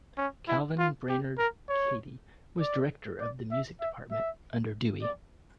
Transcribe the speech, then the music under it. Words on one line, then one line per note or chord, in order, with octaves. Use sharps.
Calvin Brainerd Cady was director of the music department under Dewey.
C#4
E4
F4
G4
A#4
C#5
D5
D5
E5
E5
E5
D5